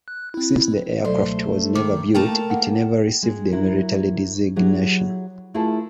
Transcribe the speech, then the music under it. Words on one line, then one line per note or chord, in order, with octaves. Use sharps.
Since the aircraft was never built, it never received a military designation.
F#6
C4 E4
C#2 B2 F#3 A3 A4 C5 D5
D#3 D6
A3 A#3 A#4 G5 A5
A#3 F#5
G#3
F#3 E4 A#4
F#3 E4 G4 G#4
A3 E4 F4 G#4 A#4 A5